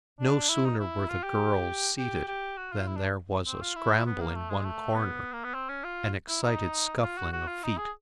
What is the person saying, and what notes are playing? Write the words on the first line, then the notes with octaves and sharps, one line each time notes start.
No sooner were the girls seated than there was a scramble in one corner, an excited scuffling of feet.
D4
E4
D#4
E4
F4
G4
G4
G4
F#4
F4
E4
D4
C4
F4
E4
B3
A#3
A3
G#3
A3
B3
A#3
B3
C4
C#4
F4
E4
D#4
F4
F#4
F#4
F4
D#4
G#4